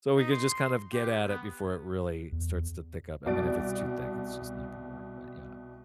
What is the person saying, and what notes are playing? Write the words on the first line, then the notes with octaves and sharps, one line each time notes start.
So, we could just kind of get at it before it really starts to pick up, I mean, if it's too thick, it's just not gonna work, but, yeah.
D#4
C6
G4
B3
E2
C2 B2 F#4 D5 A6 D7